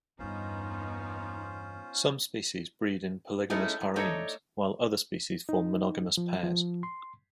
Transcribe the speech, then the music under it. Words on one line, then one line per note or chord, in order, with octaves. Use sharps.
Some species breed in polygamous harems, while other species form monogamous pairs.
E2 G2 B3 C#4 D#4 F4 C5
G#3 A3 C#4 D#4 E4
F#2
A3 D4 D#4 A4 C#5 D#5
D#4
F3
F3
C6